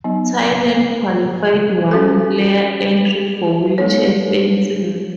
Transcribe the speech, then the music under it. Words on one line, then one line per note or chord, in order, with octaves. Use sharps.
Thailand qualified one player entry for wheelchair fencing.
F#3 B3 D#4
C#4 F#4 A4
G#3 B3 D#4 A4 C#5